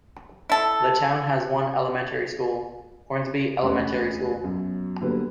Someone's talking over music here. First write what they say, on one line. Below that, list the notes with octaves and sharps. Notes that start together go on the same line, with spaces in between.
The town has one elementary school: Hornsby Elementary School.
E4 A4
E1 D2 C#4 B4
F#2 B2 F#3
D3 F#3 G3 A#3 B3 B4